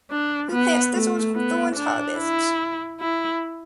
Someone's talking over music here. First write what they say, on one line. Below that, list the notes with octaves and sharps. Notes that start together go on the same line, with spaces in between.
Who plants thistles, thorns harvests.
D4
B3
A3
B3
D4
E4
E4